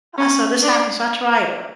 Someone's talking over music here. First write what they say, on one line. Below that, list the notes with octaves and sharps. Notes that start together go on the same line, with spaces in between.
I so this happened, so I tried her.
C#4
D4